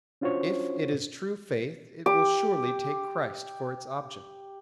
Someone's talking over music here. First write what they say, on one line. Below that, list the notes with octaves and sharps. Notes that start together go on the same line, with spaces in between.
If it is true faith it will surely take Christ for its object.
C#4 D4 F4 F#4 C5 C#5
G4 D6